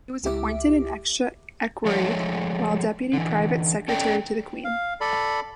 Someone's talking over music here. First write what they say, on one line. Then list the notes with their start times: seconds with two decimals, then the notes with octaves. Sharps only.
He was appointed an Extra Equerry while Deputy Private Secretary to the Queen.
0.24 C#2 G#3 E4 G4 E5 D6
1.86 F3 G#3 A3 C#5
3.13 D3 E3
3.88 C#4 A4 D5 G5
4.64 F5
5.01 A4 D5 B5